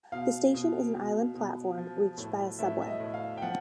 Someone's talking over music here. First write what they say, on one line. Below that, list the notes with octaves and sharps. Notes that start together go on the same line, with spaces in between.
The station is an island platform reached by a subway.
B2 F5
B2
B2
B2
F3
A2
A2 E5
E5
D#5
A2
F5
G5
F3 F#5